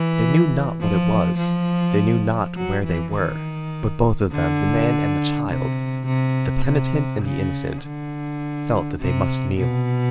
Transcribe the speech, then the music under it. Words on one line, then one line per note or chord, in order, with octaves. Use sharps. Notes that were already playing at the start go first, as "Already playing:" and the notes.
They knew not what it was, they knew not where they were; but both of them, the man and the child, the penitent and the innocent, felt that they must kneel.
Already playing: E3
F3
F3
F#3
E3
D#3
D3
C3
C3
C3
C#3
D3
C3
B2